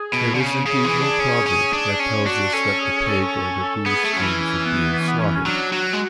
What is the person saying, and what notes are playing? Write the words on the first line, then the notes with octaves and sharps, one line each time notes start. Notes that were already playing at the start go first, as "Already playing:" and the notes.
There is indeed no proverb that tells us that the pig or the goose dreams of being slaughtered.
Already playing: G#4
B2
D3
C#3
C#3 G#4
E3
D4
C#4
C#4
D4
C#4
D4 F#4
C#4 A4
G#4
A4
A4
A4
B3 G#4
A3
F#3 C#4
E3
C#4
B3
B3
C#4
B3
C#4
C#4
F#3 D4
F#3 F#4
G#3